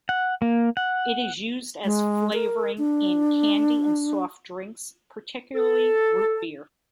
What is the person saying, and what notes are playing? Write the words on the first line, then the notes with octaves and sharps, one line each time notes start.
It is used as a flavoring in candy and soft drinks, particularly root beer.
F#5
A#3
F#5
G#3
A#4
D4
A4